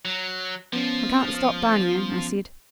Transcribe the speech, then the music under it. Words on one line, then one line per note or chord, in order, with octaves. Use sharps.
'I can't stop barneying,' I said.
F#3
F3 B3 C#4